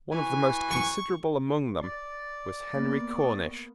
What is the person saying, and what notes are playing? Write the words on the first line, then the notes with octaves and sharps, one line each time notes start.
One of the most considerable among them was Henry Cornish.
E3 F#4 G#5
C#6
D5
A#3 B3
C#6 D#6